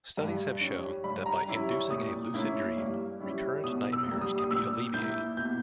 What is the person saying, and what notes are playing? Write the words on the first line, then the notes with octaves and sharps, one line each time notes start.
Studies have shown that by inducing a lucid dream recurrent nightmares can be alleviated.
G2
G3 C#4
G2 B5
A#5
G3 C#4 E4
C#6
A#2 D#6
A#3 C#4 E4
G2
G3 C#4 E4
B2 D#6
E6
G3 A#3
D#6
D#6
A#2 E6
A#3 E4 G6
B2 G6